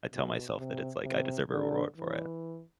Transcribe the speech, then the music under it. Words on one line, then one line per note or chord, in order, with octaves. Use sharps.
I tell myself that it's like, "I deserve a reward for it."
B2
C3
C3
D3
E3